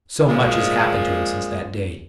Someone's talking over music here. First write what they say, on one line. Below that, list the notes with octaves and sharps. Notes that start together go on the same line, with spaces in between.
So much has happened to him since that day.
A#2 F3 G#3